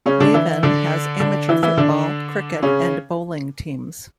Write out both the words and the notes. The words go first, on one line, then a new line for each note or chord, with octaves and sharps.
Leven has amateur football, cricket and bowling teams.
C#3 C#4
D3 D4
E3 E4
D3 D4
D3 D4
E3 E4
E3 E4
D3 D4
C#3 C#4